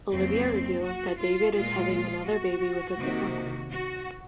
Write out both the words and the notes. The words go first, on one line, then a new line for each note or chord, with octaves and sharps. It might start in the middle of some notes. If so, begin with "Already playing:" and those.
Olivia reveals that David is having another baby with a different woman.
F2 C#3 F#3 A#3 C4
F#4
F4
A#2 G#3 F4
F#4
C3 D#3 A#3
F#4